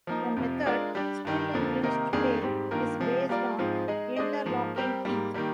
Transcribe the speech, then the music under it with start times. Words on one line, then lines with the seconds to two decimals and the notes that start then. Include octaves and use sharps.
The method, still in use today, is based on interlocking teeth.
0.07 F3 A#3 D#4
0.37 F2 C3 F3
0.66 G#3 D4 F4 A#4 D5
0.95 G3 D4 G4
1.25 G2 D#3 G3
1.53 F2 D3 F3 A#3
1.83 C3 D#3 A#3 D#4 A#4
2.13 F2 D#3 A#3 D4 G#4
2.42 G#2 G3 C4 G4
2.71 G2 D#3 A#3 F4 A#4
3.00 C3 F3 G#3
3.29 G3 A#3 F4 A#4 D5
3.58 G#2 F3 G#3 C4 F4
3.88 G#3 D#4 G#4 D#5
4.16 G#3 D4 G#4 C5 D#5
4.46 G#2 F3 A#3
4.76 G3 C4 G4 A#4
5.05 G#2 G3 A#3
5.34 D#3 G3 A#3